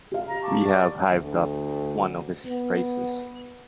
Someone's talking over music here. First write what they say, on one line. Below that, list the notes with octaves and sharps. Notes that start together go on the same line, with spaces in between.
We have hived up one of his phrases.
G4 F5
A#5
A5 C#6 D6
D5
D2
B3